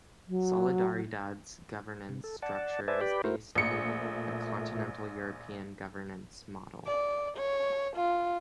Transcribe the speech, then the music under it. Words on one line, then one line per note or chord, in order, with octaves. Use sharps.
Solidaridad's governance structure is based on the continental European governance model.
F#3
C3
A4
D5 F#5 A5
B4 C5 D5 E5 G#5 A5
G4 B4 D5 G5 B5
A3 E4 F#4 A#4 C5
A#1 A#2 A3 C#7
D5
C#5
F4